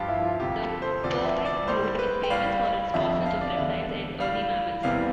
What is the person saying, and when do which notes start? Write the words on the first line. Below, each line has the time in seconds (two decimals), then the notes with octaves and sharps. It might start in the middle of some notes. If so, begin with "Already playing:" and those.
The Purbeck Group is famous for its fossils of reptiles and early mammals.
Already playing: G2 F3 F4 G4
0.09 E4
0.24 F4
0.40 D2 C3 F3 G4
0.62 A4
0.82 C5
1.04 D2 C3 F3 D5
1.25 E5
1.45 D5
1.68 A2 G3 C5
1.99 B4
2.23 G5
2.30 A2 G3 F5
2.94 F2 D3 F3 E5
3.09 E5
3.26 F5
3.41 D5
3.56 E2 D3 G3 E5
4.20 A2 G3 F5
4.83 E2 C3 E3 G3 F5